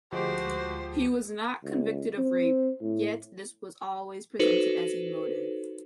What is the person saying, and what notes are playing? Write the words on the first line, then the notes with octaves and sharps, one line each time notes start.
He was not convicted of rape yet this was always presented as a motive.
D2 F3 G#3 F#4 G4 C5 D6
C#2
C4
A2
D#4 F#4 A4 B4 C5